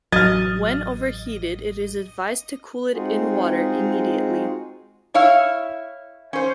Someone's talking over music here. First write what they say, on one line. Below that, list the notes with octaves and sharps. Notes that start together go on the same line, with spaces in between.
When over-heated it is advised to cool it in water intermediately.
A1 F#3 D#5 F6 G#6 A6
G#3 C4 D#4 F4 F#4 G#4
E4 C#5 E5 F5
C#4 C5